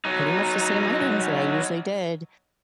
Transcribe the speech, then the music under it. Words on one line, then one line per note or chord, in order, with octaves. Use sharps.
pretty much the same items that I usually did,
F#3 D#4